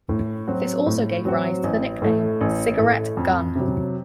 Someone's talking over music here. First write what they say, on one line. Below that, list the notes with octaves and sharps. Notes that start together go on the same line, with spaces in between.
This also gave rise to the nickname, "cigarette gun".
A2
F#3 C4 F#4
A2
F#3 C4 F#4
A1
A2 A3
A1
A2 A3
F2
C3 F#3